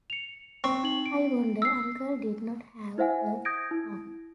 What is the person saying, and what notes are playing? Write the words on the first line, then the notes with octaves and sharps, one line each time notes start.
I wonder uncle did not have her come.
C#7 F7
C4 C#6
D#4 F#7
D7
E6 C7
E4 C5 E5 F#5 G#5
D#6 G6 G#6 A#6 D7
E4